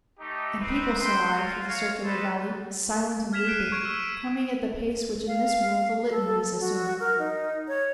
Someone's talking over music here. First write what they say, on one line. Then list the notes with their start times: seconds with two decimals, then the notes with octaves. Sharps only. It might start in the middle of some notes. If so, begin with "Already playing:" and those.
And people saw I through the circular valley, Silent and weeping, coming at the pace Which in this world the Litanies assume.
0.20 A3 D#4 G4
0.60 C4 D#4 B4
1.00 C5 E5 F#5 G5 C6
1.33 F4 F#4
1.66 C#5 F5
2.04 D#4 E4 A4 B4 C5 A5
3.33 F6 G#6 B6 E7 F7
3.47 F#6 C7 D7
3.60 D#7
3.72 C#6 G#6 D7
3.85 E6
4.03 D7
5.27 F5
6.10 A4
6.60 F#4
7.00 A#4
7.19 D#4
7.68 C#5